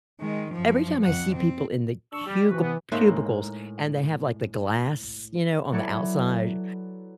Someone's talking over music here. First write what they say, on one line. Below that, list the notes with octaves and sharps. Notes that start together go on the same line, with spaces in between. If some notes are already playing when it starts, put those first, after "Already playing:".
every time I see people in the cugil cubicles and they have, like, the glass, you know, on the outside,
D#3 G#3
F#2 F3
F2 F#5
C4
D4 C#6 E6
G3
E3 F3 F#4 B4
C3 B3
A2 G#3 A#3 D#4 E5
F#3 E4 A4 B4 C#5 D5